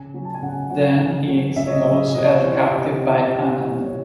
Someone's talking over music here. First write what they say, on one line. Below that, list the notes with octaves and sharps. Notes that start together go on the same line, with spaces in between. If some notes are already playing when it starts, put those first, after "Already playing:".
Then he is also held captive by Anand.
Already playing: C#3 G#5
F#3
A5
G#5
C#3 F#5
F#3 F#5
C#3
F#3
C#3 E5
C#5
D#5
F#3 D#5
C3 D#5
C#5
C5
E3 C#5
C3
E3
C3
E3
C3 C#5